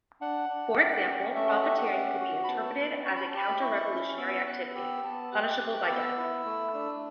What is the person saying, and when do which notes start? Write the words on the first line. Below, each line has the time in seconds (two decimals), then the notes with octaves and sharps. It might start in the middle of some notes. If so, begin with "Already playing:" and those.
For example, profiteering could be interpreted as a counter-revolutionary activity punishable by death.
0.21 D4 F#5
0.49 D4
0.78 G4
1.06 C#4
1.35 A3 E5
1.48 F#5
1.63 G4 E5
1.77 F#5
1.92 C#4
2.20 F#4
2.44 B5
2.48 B3 A5
2.77 B3
3.05 C#4 C#6
3.16 B5
3.26 A5
3.33 G4 B5
3.61 E4 C#6
3.91 C#4
4.18 B3 E6
4.46 B3 F#6
4.75 G4 E6
5.04 B3 A5
5.32 G4 F#6
5.61 G4
5.79 D6
5.88 B3 E6
6.17 E4
6.45 A3
6.74 D4